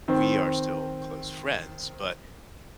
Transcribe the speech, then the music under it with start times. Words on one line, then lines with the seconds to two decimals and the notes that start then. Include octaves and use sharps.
we are still close friends, but
0.08 D#3 C4